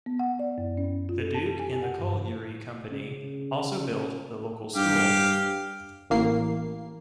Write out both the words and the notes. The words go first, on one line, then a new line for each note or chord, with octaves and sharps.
The duke and the colliery company also built the local school.
B3
F#5
D5
F#2
C#4
F4
A4
A5
G4
G#5
F#5
G2
C#3
G2 G4 F5
A1 A#3 C7